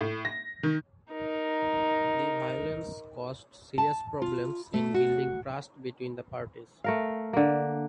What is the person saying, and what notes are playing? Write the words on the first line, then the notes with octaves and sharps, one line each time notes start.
The violence caused serious problems in building trust between the parties.
A2
A#6
D#3
D#4 A#4
A5
F4
A3
F#4
A3 A#4 F5
D3 A#3